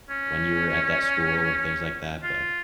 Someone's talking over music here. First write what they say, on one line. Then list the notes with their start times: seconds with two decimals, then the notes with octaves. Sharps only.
when you were at that school and things like that, but
0.10 C#4
2.23 F4